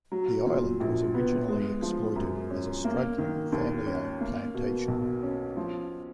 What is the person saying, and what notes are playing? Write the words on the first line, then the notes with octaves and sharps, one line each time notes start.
The island was originally exploited as a struggling family-owned plantation.
F#3
A#2
A#1
B3
G#3
F3
F#2
C#4
A#3
D#3
D#2
C#4
A#3
B2
B1
C#4
F3